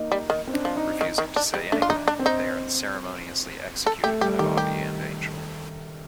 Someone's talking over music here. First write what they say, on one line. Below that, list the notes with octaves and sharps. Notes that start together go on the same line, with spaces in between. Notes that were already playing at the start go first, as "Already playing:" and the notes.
Refusing to say anything, they are unceremoniously executed by Bobby and Angel.
Already playing: A#3 D#4
G3
D#3
C4
D4
F3
D#4
D#3
D#3
D4
G3
A3 D4
F4
D#4
D4
C4
D#4
A4
A3 G4
G3 G4
D#3 G4
G4